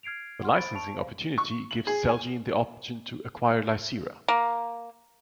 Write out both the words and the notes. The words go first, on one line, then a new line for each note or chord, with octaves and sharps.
The licensing opportunity gives Celgene the option to acquire Lycera.
F6 G#6 C7 D7 F7
F#5 C6 F6
C5 B5 A6 D7
A5 C#6 D7 F7
C5 F5
C#6
F#7
G#4
G#5
A#3